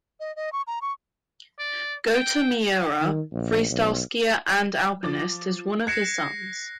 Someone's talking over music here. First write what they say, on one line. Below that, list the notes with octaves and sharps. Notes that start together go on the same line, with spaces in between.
Gota Miura, freestyle skier and alpinist, is one of his sons.
D#5
D#5
C#6
A#5
C#6
D5
G5
D#3
A#1
B1
F3 D6 A6
F#6 G#6 A#6 C7 C#7 E7